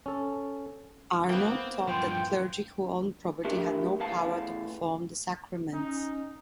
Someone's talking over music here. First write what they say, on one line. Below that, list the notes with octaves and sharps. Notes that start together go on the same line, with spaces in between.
Arnold taught that clergy who owned property had no power to perform the Sacraments.
C#4 A4
A#3 B3 C5 G5
G2 F3 G5 B5 C6
A3 D4 G4 A#4
E2 A2 F5 A5
C#4 D#4